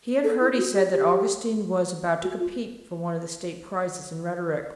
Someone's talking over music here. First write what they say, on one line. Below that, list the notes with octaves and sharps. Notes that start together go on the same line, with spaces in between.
He had heard, he said, that Augustine was about to compete for one of the State prizes in rhetoric.
A4
E4
F#4
G4
G4
F#4
F4